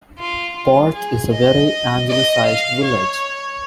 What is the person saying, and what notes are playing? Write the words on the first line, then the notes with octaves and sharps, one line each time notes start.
Borth is a very Anglicized village.
F4
F4
G#4
D#5
D#5
F5
C#5